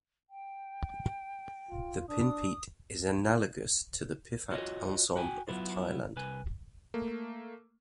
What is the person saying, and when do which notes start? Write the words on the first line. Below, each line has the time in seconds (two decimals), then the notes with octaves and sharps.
The pinpeat is analogous to the piphat ensemble of Thailand.
0.30 G5
1.70 F4
2.09 D4 D#6
4.51 F4 F#4 A#4 C#5 D#5
5.16 F#4 G5 G#5
5.48 F#3 B3 E4 F4
6.16 C2 B4 G#5
6.94 A3 A#3